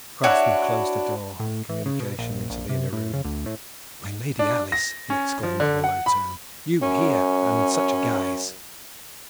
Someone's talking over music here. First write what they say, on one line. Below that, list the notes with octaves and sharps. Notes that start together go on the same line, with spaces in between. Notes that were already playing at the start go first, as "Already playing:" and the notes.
The craftsman closed the door of communication into the inner room. "My Lady Alice," he exclaimed in a low tone, "you here, and in such a guise?"
D4 E4 F#4 C#5
A2
E3
C#3
B2
A#1
A#1
C3
A2
C#3
D2
A2
D4
A#6
C#4
F3
D3
F#5
B5
F#2 C#4